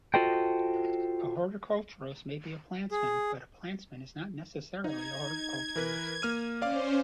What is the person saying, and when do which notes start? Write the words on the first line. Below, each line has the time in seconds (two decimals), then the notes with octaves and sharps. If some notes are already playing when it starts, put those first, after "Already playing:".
A horticulturist may be a plantsman, but a plantsman is not necessarily a horticulturist.
0.14 F4 F#4 A4 C5 D#5 G5
2.91 G#4
4.84 D#4 G#6
5.76 E3 A#4 B4
6.22 A#3 F6 D#7
6.62 C#4 C5 D5 F5 D6